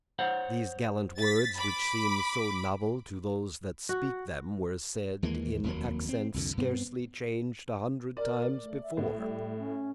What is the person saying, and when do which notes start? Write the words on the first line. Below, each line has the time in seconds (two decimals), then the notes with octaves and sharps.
These gallant words which seem so novel to those that speak them were said in accents scarcely changed a hundred times before.
0.19 C5 C#5 F#5
1.18 A6 B6
1.57 B5 D6
3.89 F#4
5.23 D#2 E3 G#3 A#3
5.64 F1 D#2 F#3 A#3
6.09 C4
6.34 C2 F2 D3
6.57 G2 B3 C4
8.17 A#4 D5
8.61 A3
8.82 E5
8.97 A2 B3
9.15 G3
9.58 C#4